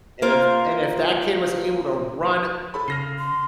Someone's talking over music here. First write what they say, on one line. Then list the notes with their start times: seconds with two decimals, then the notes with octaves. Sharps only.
and if And if that kid was able to run
0.22 A#3 F4 A#4 C5
2.74 A4 B5
2.88 C#3 F6 A#6 C7
3.19 C6